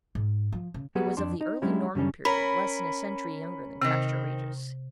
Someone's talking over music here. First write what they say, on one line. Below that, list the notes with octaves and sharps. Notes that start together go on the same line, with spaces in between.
It was of the early Norman period, less than a century younger than Castra Regis.
G#2
F3
C#3
F#3 G3 B3 F#4 G#4 B4
F2 D4 C6
D#4
F#3 G#3 C#4 D4 E4 G4
F#2 C#3 G3 C#4 D4
C#4 A#4 B5
C3 D#3 C4